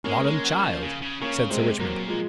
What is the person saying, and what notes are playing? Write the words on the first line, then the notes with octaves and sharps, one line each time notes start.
"Modern child," said Sir Richmond.
G#3 A#3 C#4
G#3
F#3
F3
C#3
C#3
C#3 A#3 C#4
C3 G#3 C4
C3 F#3 A#3
A#2
F3 G#3